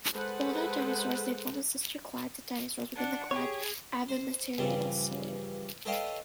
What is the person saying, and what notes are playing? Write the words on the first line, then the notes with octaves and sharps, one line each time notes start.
While not dinosaurs, they form a sister clade to dinosaurs within the clade Avemetatarsalia.
G#3 A4 B4 C5 F#5
D4 F#5
G4 G#4 C#5
C5
G2 C#3 E3 F3 G3
A4 B4 C#5 D#5 F5 G5